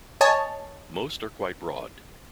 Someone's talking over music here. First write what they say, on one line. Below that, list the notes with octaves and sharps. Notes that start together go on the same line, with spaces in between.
Most are quite broad.
C#5 D#5 G#5 A5